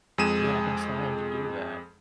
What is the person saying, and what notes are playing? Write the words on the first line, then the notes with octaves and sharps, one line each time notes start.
Yeah, I've been trying to do that.
F2 G#3 G#4 D#7 E7